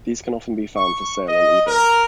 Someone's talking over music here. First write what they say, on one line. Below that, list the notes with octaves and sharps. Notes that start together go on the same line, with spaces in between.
These can often be found for sale on eBay.
C#6
D#5
A#4